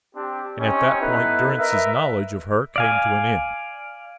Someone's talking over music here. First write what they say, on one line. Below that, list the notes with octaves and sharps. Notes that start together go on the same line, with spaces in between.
And at that point Durrance's knowledge of her came to an end.
C4 D4 G4
C4 C#4 D#4 G4 C#5
B3 D#4 E4 A4 B4
A#4 B4 D#5 E5
D5 F5 G#5